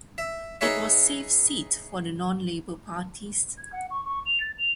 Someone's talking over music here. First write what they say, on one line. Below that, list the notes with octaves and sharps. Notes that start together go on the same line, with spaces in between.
It was safe seat for the non-Labor parties.
E5
D#4 G#4 B4 C#5 E5
G#6
F#5
C#6
C#6
F7
A6
F7